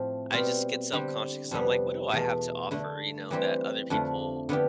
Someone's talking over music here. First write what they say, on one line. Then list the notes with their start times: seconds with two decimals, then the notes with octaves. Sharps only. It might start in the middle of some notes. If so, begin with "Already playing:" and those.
I just get self-conscious 'cause I'm like, "What do I have to offer, you know, that other people
Already playing: A2 F3 A3 C4
0.31 B2 G3 C4 F4
0.92 D3 G3 C4 G4
1.51 F2 C3 G3 B3
2.11 E2 B2 A3
2.71 D3 A3 E4
3.31 E3 G3 C4 E4 G4
3.90 F2 D3 F3 A3
4.49 D3 F3 B3 E4 G4